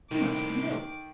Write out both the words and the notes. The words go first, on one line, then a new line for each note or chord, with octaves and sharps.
He must be ill.
C2 A2 D#3 D6